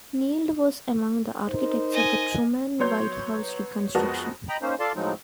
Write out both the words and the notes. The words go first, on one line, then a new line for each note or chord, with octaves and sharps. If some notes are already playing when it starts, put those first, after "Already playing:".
Neild was among the architects of the Truman White House reconstruction.
D#4 A#4 C5
D#5 G#5
F#3 B3 C#5 C6 G6
F2 G#3 B3 F#4 A#4 A5
D#5 G5 A#5 B5
A#3 C#4 D#4 C5
F4 A4 D5 F5 A5 C6
A2 F3 F#3 G#3 C4 D#4